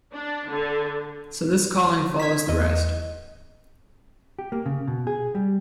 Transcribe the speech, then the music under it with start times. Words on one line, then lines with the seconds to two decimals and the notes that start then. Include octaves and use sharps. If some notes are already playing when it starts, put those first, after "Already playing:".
So this calling follows the rest.
0.11 D4
0.48 D3
2.19 G#6 B6
2.49 E2 D#5
4.39 G4
4.52 A#3
4.66 C#3
4.88 B2
5.07 G#4
5.35 G3